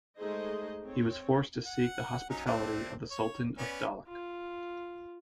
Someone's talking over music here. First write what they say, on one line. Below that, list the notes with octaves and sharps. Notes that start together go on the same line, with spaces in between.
He was forced to seek the hospitality of the Sultan of Dahlak.
G#3 A3 D#4 G#4 C5 D#5
C4 C#5
F#5
F#3 C#4 D#4
A3 C4 D4
C#5
B3 C#4 D5
F4